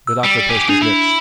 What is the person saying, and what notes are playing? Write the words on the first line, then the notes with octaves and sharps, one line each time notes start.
The doctor pursed his lips.
E6
G3
G4 G#4
D4 G#4 F7
E4